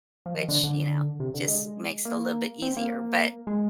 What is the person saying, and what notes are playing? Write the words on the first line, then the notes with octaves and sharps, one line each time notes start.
which, you know, just makes it a little bit easier, but,
F3
D#3
D3
D3
C3
D3
G#3
A#3
C4
A#3
G#3